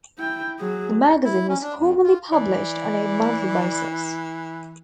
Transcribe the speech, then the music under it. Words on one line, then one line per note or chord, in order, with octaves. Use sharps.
The magazine was formerly published on a monthly basis.
E4 G5
F#3 G#4
E4
C#4
D4
F2
F4
E3 D5